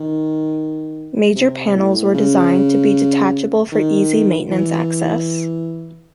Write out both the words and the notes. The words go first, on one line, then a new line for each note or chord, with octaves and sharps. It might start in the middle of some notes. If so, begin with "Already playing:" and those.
Major panels were designed to be detachable for easy maintenance access.
Already playing: D#3
C3
A2
C#3
D#3
E3